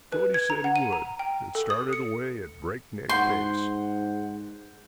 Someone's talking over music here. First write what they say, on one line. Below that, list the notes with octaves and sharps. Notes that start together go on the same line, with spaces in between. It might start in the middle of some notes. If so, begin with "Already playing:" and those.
Cody said he would, and started away at breakneck pace.
B4
G#6
A#5
F#5
D#7
A#5
G5
A4
D#6
C#7
G#2 F#5 C6 G6